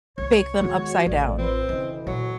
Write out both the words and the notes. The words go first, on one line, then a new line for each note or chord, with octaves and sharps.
bake them upside down.
C2 C#5
D#2 G#3 B3 F#4
A1 D#3 A3 D5
C4 F4 B4
D2 C#3 E3 D#5
A#2 F#3